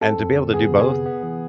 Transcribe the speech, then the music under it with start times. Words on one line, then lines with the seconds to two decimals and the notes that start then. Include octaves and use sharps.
and to be able to do both
0.01 C4 A4
0.19 F2
0.36 D3
0.53 B3 G#4
0.71 C3
0.79 G#4
0.88 B3
1.06 B3
1.23 E3